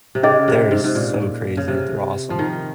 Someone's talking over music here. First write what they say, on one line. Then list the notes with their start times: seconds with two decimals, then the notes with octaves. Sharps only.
They're so crazy, they're awesome.
0.15 C3
0.23 C#3 C#4 G#4 D#5
0.48 C3
0.71 G#2
0.84 G#2
0.95 A#2
1.57 C#3
1.68 C3
2.30 F3
2.39 D#3